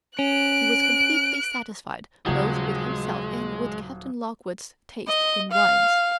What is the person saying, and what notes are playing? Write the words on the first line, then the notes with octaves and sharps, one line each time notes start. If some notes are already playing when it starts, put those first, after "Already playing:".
He was completely satisfied, both with himself and with Captain Lockwood's taste in wines.
C#4 F#6 D7
D#1 C#3 F#3 G#3 C#4
D#5
F5